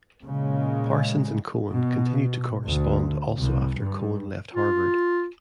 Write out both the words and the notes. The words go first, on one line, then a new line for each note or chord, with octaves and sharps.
Parsons and Cohen continued to correspond also after Cohen left Harvard.
A#2 C#3 G#3
B2
D2
C2
G2
F4